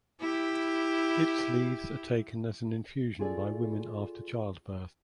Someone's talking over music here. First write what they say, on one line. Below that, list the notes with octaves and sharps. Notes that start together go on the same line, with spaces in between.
Its leaves are taken as an infusion by women after childbirth.
E4 G4
F4 F#4 G#4 A4 D5